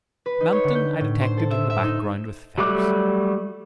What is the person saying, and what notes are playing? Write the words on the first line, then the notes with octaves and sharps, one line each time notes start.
Manton I detected in the background with Phelps.
B4
D#4
C#5
D3
G6
A2
C5
A4
E5
E5
D#4
F#3 G3 A3 D6 F#6